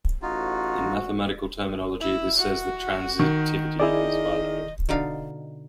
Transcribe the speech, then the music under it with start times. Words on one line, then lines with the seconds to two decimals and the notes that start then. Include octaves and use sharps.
In mathematical terminology, this says that transitivity is violated.
0.22 A1 D#4 F4 F#4
2.00 E4
2.37 F#4
3.19 D#3
3.80 E4 G#4 D5 D#5
4.89 B2 D3 D#4 F5